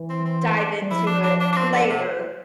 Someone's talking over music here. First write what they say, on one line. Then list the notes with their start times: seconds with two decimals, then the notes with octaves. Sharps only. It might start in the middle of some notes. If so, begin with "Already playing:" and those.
m dive into it later,
Already playing: E3
0.09 C4
0.25 C4
0.42 C4
0.58 D4
0.82 G3
0.91 F3 E4
1.07 D4
1.23 D4
1.40 D4
1.52 D4
1.56 C4
1.72 D3
1.90 C3